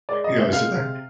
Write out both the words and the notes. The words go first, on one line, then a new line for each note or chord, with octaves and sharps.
you know, I sit there?
G#3 D5
D#5
C3
E5
G#3 F5
C3